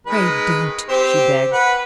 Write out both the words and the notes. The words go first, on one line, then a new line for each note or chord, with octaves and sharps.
"Pray don't!" she begged.
D#3 G#3 B4
C4 G4 C5
B4 F#5